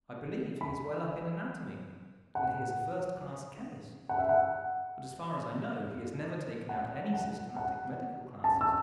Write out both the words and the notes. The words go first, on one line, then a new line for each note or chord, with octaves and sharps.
I believe he is well up in anatomy, and he is a first-class chemist; but, as far as I know, he has never taken out any systematic medical classes.
B5
F#5
F#5
E5
F#5
F#5
F#5
F#5
A5
E6